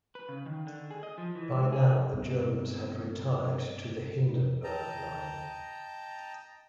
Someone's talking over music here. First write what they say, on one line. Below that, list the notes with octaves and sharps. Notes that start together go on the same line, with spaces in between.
By now the Germans had retired to the Hindenburg Line.
B4
C#3
D#3
D3
G#4
D#5
F3
E3
G#2
G#4
G2 B2 C4
D#5 G5 A5 A#5